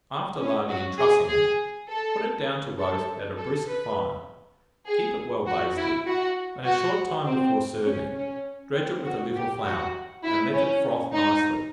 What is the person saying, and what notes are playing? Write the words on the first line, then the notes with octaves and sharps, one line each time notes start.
After larding and trussing it, put it down to roast at a brisk fire; keep it well basted, and a short time before serving, dredge it with a little flour, and let it froth nicely.
C#4
F#4
G#4
G#4
A4
A4
A4
B4
G#4
F#4
E4
F#4
F#4
C4
C#4
C#4
C4
F#4
G4
F#4
E4
C#4
D#4